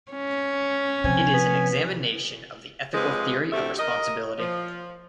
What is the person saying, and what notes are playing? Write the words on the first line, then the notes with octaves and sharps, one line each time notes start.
It is an examination of the ethical theory of responsibility.
C#4
C3 F3 C4 G#5
B3
C3 F3 G#3 B4 C5
D2 C3 A3 G4 E5
A#4 D#5
F3